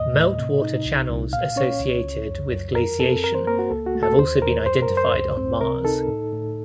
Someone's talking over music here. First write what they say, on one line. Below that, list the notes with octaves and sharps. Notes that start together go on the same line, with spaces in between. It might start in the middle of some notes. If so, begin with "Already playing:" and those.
Meltwater channels associated with glaciation have also been identified on Mars.
Already playing: D#2 A2 D#5
A2
C3
D#4
C2
C2
A#2 F5
C#4 C#5
C#2
C#2
F#2
F#2
F2 A#4
C4 A4
F#2 A#4
C5
A#3 A#4
F#4
C#2 A4
F#4
A3
A4
D#2 C5
D#2 A#4
F#2 C5
A#4
F#2
C5
C#2
C4
C3 A#4
D#4 A4
A2
A2